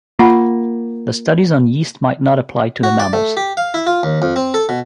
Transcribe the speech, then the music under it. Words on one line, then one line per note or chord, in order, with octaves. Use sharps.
The studies on yeast might not apply to the mammals.
A#3 F4 F#5 B5
F#4
D5
A3
G4
F5
E4
F4
D#2
F2
C4
A4
B2